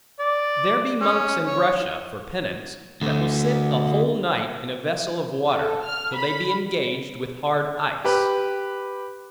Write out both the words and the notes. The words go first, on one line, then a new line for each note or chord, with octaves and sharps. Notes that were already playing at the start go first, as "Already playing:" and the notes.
There be monks in Russia, for penance, that will sit a whole night in a vessel of water, till they be engaged with hard ice.
D5
C#4
C#5
D2 D3
A4
F6
B5
G4 B4